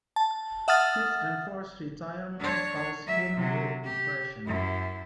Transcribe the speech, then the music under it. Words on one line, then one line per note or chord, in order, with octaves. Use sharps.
His enforced retirement caused him great depression.
A5
E5 F#5 D#6 F6 A6
D4 C#5
F#3 E5
C3 F#3
G4
F#2 E4